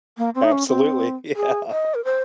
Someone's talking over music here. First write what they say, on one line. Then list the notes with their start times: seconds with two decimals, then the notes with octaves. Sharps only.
Absolutely, yeah.
0.18 A#3
0.35 C4
0.44 D#4
0.52 C#4
0.68 C4
1.36 G#4
1.71 D#5
1.95 A#4
2.05 C5